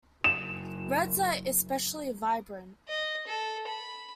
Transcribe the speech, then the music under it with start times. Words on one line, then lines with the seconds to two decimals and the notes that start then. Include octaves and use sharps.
Reds are especially vibrant.
0.24 F#1 E7
2.88 D#5
3.27 A4
3.67 B5